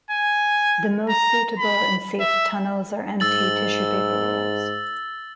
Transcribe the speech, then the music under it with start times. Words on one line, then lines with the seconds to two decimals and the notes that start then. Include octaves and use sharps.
The most suitable and safe tunnels are empty tissue paper rolls.
0.11 G#5
1.09 A#5
1.59 B5
2.20 E5
3.20 G#2 E6 A6 F#7